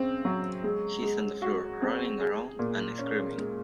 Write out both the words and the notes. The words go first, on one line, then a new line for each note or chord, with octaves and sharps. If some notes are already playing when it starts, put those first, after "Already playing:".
He's on the floor, rolling around and screaming.
Already playing: C#3 C4
F#3
G#3
G#3
F#4
C4
G#4
A#2
C#4
G#3